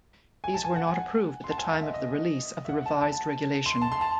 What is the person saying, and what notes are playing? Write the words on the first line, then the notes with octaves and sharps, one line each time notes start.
These were not approved at the time of the release of the revised regulation.
G#5
A5
G#5
F#5
G#5
F#5
C6
A5
G#5
F#5
E5
D#5
D#5
E5
F#5
A5
A5
C6
A5
C6
A5